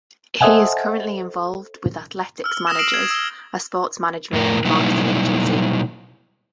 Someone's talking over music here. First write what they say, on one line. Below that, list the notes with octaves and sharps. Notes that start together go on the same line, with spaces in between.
He is currently involved with Athletics Managers, a sports management and marketing agency.
A4 C5 D#5 E5 F#5 G#5
E6 F6
D#6 A#6 E7
C7 D7 E7 F#7
G#6
E6 G7
F2 A2 A#4
B2 F#3 G3 A#3 D#4 E4